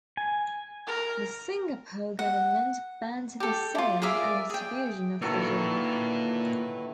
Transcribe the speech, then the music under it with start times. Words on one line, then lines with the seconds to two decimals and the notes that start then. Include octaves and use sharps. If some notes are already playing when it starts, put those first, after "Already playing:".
The Singapore government banned the sale and distribution of the journal.
0.17 G#5
0.87 A#4
2.19 F#5
3.40 G4 A4
3.75 E4 F4
4.02 G#4 A#4 D5 E5
4.50 G#4 G5
5.22 D3 D#3 F#3 A#3 E4 F4 A4 B4